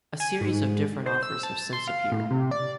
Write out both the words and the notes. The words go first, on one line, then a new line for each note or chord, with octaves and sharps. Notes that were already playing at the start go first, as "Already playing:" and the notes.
A series of different offers have since appeared.
G#5
G#2
C5
E6
A5
C6
F5
A2
C3
D5